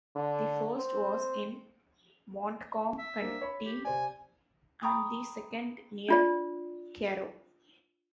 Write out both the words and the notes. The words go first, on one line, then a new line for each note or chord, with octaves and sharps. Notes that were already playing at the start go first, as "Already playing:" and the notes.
The first was in Montcalm County and the second near Caro.
D3
C4
E5
A#3 C4 D4
C#5 B5
G4
C3 C5 D5 G#5
G5 A#5 B5 C#6 D#6
D4 F4 D5